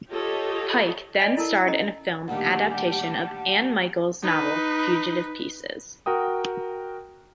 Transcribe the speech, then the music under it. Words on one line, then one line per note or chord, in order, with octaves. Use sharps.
Pike then starred in the film adaptation of Anne Michaels's novel "Fugitive Pieces".
F4 G4 A4 C#5 D#5
D5 D#5 G#5
E4 A4 A#4 A5
C#4 A4 D#5 A#5
D2 A#2 D#3 G3 G4 F#5 A5
D#4 B4
F#4 A#4 G5 D#6